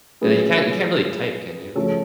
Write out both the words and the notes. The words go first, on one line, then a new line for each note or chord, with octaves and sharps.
And then you can't you can't really type, can you?
F#3 A3 C#4 F4 G#4 B4
C#3 F3 A3 C#4 A4 C#5